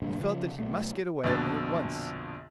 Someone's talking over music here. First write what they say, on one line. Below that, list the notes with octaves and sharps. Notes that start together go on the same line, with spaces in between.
He felt that he must get away, and at once.
F1 G2 A#2 D3
C#3 F3 C#4
B1 A3
A#1 F2 B2 D3 A6